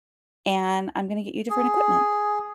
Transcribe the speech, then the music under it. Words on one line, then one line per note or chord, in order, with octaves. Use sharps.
and I'm gonna get you different equipment,"
G#4